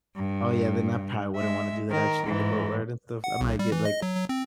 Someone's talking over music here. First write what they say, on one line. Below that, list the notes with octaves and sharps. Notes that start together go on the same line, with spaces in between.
Oh, yeah, then I probably wouldn't wanna do that actually, the boat ride and stuff. I might get, like,
G2
G#3 E5
D#3 A#4
G#2 E3
F#5
B1
G3
E3
D#5
F#3
F#3
C4